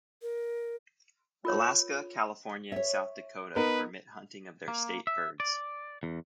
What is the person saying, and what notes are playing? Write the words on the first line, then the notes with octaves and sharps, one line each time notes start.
Alaska, California, and South Dakota permit hunting of their state birds.
A#4
F4 A#4 C#5
C#5 E5
B3 D#4 A#4 B4
A#3
E5
D5
E2